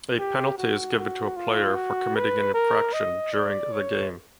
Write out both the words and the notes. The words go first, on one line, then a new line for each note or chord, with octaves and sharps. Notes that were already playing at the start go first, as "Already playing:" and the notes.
A penalty is given to a player for committing an infraction during the game.
G4
F#4
F#4
F4
F#4
B4
A#4
D#5
D5
C#5